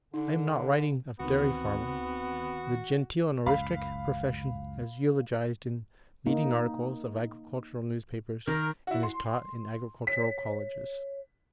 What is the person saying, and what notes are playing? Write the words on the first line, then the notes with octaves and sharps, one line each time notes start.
I am not writing of dairy-farming, the genteel and artistic profession as eulogized in leading articles of agricultural newspapers and as taught in agricultural colleges.
D3 D#4
D2 D#3 B3 C4 F#4
C#2 F#2 F5 B5
A#3 D#4
D#3 A#4
E4 F#4
C6
C#5 B6